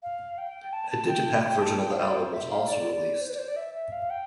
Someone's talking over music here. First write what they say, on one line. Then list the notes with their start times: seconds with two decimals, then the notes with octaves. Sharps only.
A digipak version of the album was also released.
0.03 F5
0.38 G5
0.73 A5
0.91 A5
1.08 G5
1.43 G5
1.62 A5
1.79 G5
1.91 F5
1.97 C5
2.03 D5
2.15 C5
2.33 E5
2.50 F5
2.67 D5
3.21 C5
3.29 B4
3.34 D5
3.38 C5
3.48 D5
3.56 E5
3.74 E5
3.92 F5
4.10 G5